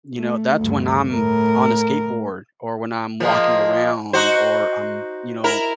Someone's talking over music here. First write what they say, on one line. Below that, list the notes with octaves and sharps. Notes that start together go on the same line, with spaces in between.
you know, that's when I'm on a skateboard or when I'm walking around or, um, you know,
A3
D2 G2
A2 A#4
F3 G#3 A#3
D#4 F#4 C5
E4 A#4